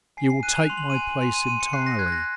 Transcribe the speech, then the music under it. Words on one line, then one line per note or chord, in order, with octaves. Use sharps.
You will take my place entirely.
G#5 C7
C7
F#6 D#7
F7
C6 F7
F#7
F7
D#7
G#5 F7
F#7
C6 F7
D#7
C6 D#7
C#7
F#6 C7
A#6
F#6 G#6
A#6